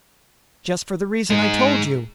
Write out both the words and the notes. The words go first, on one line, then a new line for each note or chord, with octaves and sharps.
"Just for the reason I told you."
G#3 D#4